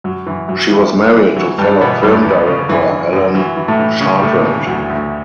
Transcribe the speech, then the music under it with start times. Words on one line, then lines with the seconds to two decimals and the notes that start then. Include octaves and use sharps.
She was married to fellow film director Alain Chartrand.
0.04 F#2 F#3
0.26 F#2 E3
0.48 F#2 F#3
0.70 E3
0.93 F#2
1.15 E3
1.36 E3 F#3
1.58 G2 E3 G3
1.81 B2 E3 B3
2.03 E2 G2 G3
2.25 E2
2.47 C#3
2.69 F#2 E3
2.90 E3
3.13 F#2
3.35 E3 F#3
3.57 E3
3.68 A2 A3
3.79 E3
4.00 C#3 C#4
4.19 G3
4.23 A2 C#3 A3
4.45 C#3 E3
4.66 D2 F#3
4.90 D2